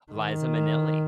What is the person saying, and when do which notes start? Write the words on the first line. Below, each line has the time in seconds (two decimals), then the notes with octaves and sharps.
Liza Minnelli.
0.12 D#3